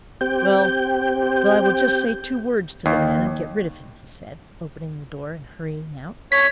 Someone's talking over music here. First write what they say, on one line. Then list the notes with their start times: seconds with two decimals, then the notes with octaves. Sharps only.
"Well, well, I will just say two words to the man and get rid of him," he said, opening the door and hurrying out.
0.21 C4 G4 G5
2.86 D#2
6.32 C#5 B6